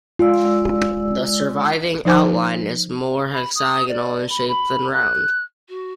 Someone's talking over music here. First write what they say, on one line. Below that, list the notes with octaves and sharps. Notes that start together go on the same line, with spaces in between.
The surviving outline is more hexagonal in shape than round.
G#3 F4 D5 E6
F3 D#4 C5 G#5 D6
B5
D#6
D5
B5
B5
F#6
F#4